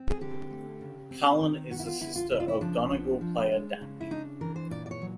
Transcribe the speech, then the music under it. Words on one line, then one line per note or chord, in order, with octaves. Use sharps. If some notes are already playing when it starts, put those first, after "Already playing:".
Cullen is the sister of Donegal player Danny.
Already playing: C4
G#4
D3 G4
A3
C#3
C4
D#3
B3 F#4
E4
F4
D3 E4
F4
C#3 E4
F4
E4
F3 D4
B3
F3
G#3
C#3
E4
D4 D#4
E3 A#4
C5
A#2 D5
D5
C#5
F#3